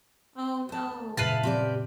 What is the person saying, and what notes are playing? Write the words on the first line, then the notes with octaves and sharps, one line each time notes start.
Oh no.
D2 A5
F#2 A#2 C#3 E4 G#4 B4 F5 A5
C4 G4 D5